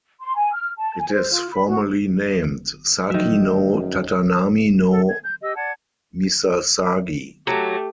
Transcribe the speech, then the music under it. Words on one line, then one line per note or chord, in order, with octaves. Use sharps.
It is formally named "Saki no Tatanami no misasagi".
C6
G#5
F6
A5
G#5
C5
F4
B5
F#4
D2 D#3 F3 F#3 E5
F#2
A4
G#6
G6
G4 D#5 E6
D5 F#5 A5 G#6
F#3 A3 G4